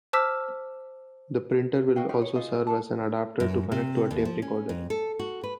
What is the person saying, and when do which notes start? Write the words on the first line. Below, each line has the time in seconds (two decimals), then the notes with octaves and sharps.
The printer will also serve as an adapter to connect to a tape recorder.
0.13 C5 A5 D6 E6 F6 B6
1.96 F#4 D#5 F5 G5
2.09 D#4 F#4 G4 F5
2.22 C#5
2.36 D#4 F4 G#4 D#5
2.67 D4 A4 A5
3.40 F#2
3.72 C3
4.11 D#2
4.25 F3
4.42 C#4
4.69 F2
4.90 A4
5.19 F#4
5.44 B4